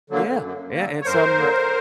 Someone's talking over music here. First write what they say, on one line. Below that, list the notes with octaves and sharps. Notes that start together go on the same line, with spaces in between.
Yeah, yeah, it's, um,
D3 F#3 A#3
F#2
D3 F#3 A#3
C#5
F#2 A#4 C5
D3 F#3 A#3